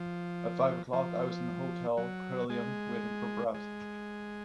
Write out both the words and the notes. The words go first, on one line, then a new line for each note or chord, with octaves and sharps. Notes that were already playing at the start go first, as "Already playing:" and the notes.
At five o'clock I was in the Hotel Crillon waiting for Brett.
Already playing: F3
F3
F#3
G#3
G#3